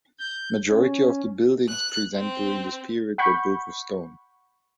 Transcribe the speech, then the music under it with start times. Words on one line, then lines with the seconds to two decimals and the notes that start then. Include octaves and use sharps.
Majority of the buildings present during this period were built with stone.
0.19 G6
0.69 C#4
1.69 F#6
2.15 C4
3.18 F#5 B5 C#6 G6